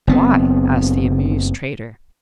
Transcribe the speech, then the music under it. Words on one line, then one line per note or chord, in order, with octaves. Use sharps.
'Why?' asked the amused trader.
F#1 B3 C4